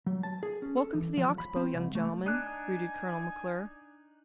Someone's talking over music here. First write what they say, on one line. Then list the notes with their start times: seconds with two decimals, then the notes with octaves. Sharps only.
"Welcome to the Ox Bow, young gentlemen," greeted Colonel McClure.
0.06 F#3
0.23 A5
0.43 G#4
0.62 C#4
0.77 A4
0.94 E3
1.17 F3
1.38 B5
1.56 C4
1.74 C2
1.95 A3
2.26 D4 D#4 G#5 F#6